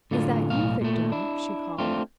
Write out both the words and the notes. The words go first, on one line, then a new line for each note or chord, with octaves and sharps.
"Is that you, Victor?" she called.
A2 D3 F4
B1 A2 F5
A#2 A3
D4 E4
A3 C4 D4 F4